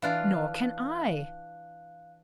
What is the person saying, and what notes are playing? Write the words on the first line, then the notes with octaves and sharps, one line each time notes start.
"Nor can I."
E3 D4 F4 F5 F#6